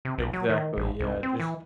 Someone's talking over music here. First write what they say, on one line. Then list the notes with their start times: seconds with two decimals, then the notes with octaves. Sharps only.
Exactly, yeah, just
0.05 C3
0.18 B1
0.33 F#3
0.50 D#3
0.77 A1
1.00 C2
1.23 C4
1.40 E3